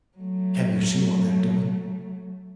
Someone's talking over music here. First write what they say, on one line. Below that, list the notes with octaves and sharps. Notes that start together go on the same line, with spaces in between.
"Can you see what they are doing?"
F#3 A3